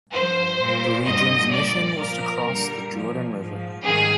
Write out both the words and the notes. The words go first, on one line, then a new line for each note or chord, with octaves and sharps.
The Legion's mission was to cross the Jordan River.
G2 F3 C5
A#2 G3
G2 D3 G3 D#5
A#2 G3 D5
A#2 F3 A#4
G2 D3 G3
A#2 F3
G#2 F3
G#2 D#3 G3 G#4